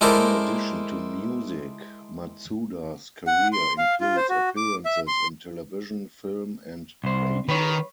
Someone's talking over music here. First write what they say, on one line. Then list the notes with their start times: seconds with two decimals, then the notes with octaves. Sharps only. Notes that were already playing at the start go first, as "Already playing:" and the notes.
In addition to music, Matsuda's career includes appearances in television, film, and radio.
0.01 G#3 E4 A4 A#4 C5 D5
3.27 F#5
3.53 C6
3.78 F5
4.01 F4
4.17 C5
4.30 F#4
4.57 D6
4.85 E5
5.07 C6
7.04 C2 C5
7.49 D#3 B4 C#5